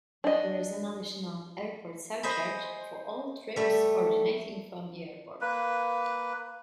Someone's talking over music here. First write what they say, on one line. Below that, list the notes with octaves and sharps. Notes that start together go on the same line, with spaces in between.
There is an additional airport surcharge for all trips originating from the airport.
D4 D#5
C5 D#5 G#5 B5
G3 A3
A#3 B4